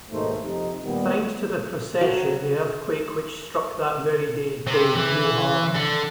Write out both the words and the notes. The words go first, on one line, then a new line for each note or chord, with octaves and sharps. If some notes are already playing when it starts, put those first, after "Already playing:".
Thanks to the procession, the earthquake which struck that very day caused no harm.
D#2 G#2 B2 A3 D#4 C5
F2 C3 D#4
A#2 D#3 G3 B3
F#3
C3
E3
D3